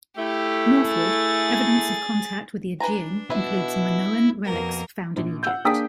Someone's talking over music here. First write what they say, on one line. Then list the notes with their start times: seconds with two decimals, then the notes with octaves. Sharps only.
Northward, evidence of contact with the Aegean includes Minoan relics found in Egypt.
0.18 A3 E4 G4
0.88 G#4 A6
2.80 D4 B4 G#5 A#5
3.30 B2 E4 B4 E5
4.44 F2 B2 A#3 A#4
5.17 A#1
5.43 F#5 E6 G6
5.65 A#3 D4 G#4 G5 D#6 B6